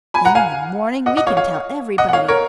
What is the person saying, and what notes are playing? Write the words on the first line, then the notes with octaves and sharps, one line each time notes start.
"Then in the morning we can tell everybody."
G#5 B5
F#5 A#5
F5 G#5
D#5 F#5
D#5 F#5
C#5 F5
C#5 F5
D#5 F#5
F#5
C#5 F5
A#4 C#5